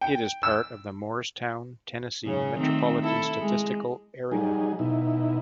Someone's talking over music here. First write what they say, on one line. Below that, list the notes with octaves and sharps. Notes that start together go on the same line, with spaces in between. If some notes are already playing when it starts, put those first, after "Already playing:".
It is part of the Morristown, Tennessee Metropolitan Statistical Area.
G5
E6
F#2 C#3 C#4
D#3 A3 C4
E4 A4
G#3
F#3 G3 D#4 G#4
B2 D#4 E4